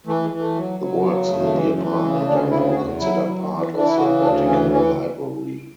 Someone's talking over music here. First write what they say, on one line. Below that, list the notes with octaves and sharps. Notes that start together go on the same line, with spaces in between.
The works in the apartment are now considered part of the Vatican Library.
E3 A3
G#3
E3
A3
F#3
F#3
C#3 B3
F#2 A3
A3
E3 G#3
G#3
E3 A3
A3
C#3 G#3
A3
D2 D4
C#4
C#3 E4
G#4
E2 F#4
F#3 E4
F#3
E3
E3 D4
E4
C#3 F#4
D2 D4
E3 C#4
E3 C#4